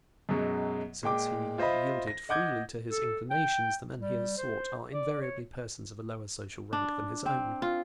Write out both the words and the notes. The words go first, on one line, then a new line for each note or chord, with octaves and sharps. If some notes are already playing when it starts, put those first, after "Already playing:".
Since he yielded freely to his inclinations the men he has sought are invariably persons of a lower social rank than his own.
F#2 B2 F#3 G#3
A#2 G#3 G5 D6
F4 C5 D#5 E5 B5
A#6
D#5 F#5 D6 G6 G#6
A4
G5
G3
C5
D5
C#5
D4
C4
F4